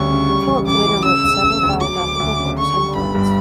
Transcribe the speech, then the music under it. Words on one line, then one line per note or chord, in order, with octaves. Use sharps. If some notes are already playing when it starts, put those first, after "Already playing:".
Corke later wrote several biographical works on Lawrence.
Already playing: D2 D3 G3 C#4 C#6
C#3
G3
A1
A1 D6
A2
C#3 E6
E1
E1
D2
F#3 D6
D2
D2
C#3
D3 C#6
G3
G1 B5
G2